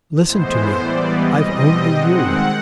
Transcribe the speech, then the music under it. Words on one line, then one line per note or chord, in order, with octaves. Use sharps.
Listen to me, I've only you.'
A2 E3 G#3 B3 C5
E3 G3 B3 D5
D#5
B2 G3 C4
D#3 G#3 C4 F#5